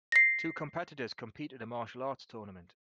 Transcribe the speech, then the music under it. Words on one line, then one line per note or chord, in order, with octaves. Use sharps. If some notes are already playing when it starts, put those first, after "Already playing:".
Two competitors compete at a martial arts tournament.
A#6 C7